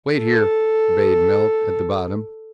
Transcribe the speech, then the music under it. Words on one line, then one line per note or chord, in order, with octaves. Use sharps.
"Wait here," bade Milt, at the bottom.
A4